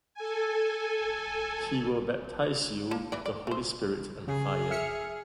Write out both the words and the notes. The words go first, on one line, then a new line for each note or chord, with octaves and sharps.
He will baptize you with the Holy Spirit and fire.
A4 G#5
A#3 A5
E3 D5
D5
A3 C5
C#3 G#4
E5 F6 C#7